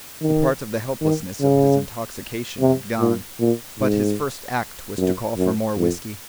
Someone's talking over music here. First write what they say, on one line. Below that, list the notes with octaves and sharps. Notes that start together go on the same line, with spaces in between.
A part of the helplessness of his intoxication had gone, but his first act was to call for more whiskey.
D#3
D#3
C#3
C3
A#2
A#2
G#2
F#2
F#2
F2